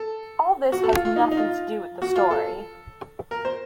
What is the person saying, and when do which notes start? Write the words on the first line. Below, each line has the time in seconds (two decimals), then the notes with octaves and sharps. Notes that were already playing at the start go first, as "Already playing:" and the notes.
All this has nothing to do with the story.
Already playing: A4
0.72 F#4
0.83 A4
0.94 F4
1.05 F4
1.16 D#4
1.31 D#4
1.37 F4
2.02 F#4
2.16 F4
2.31 A4
3.31 A#4
3.45 C5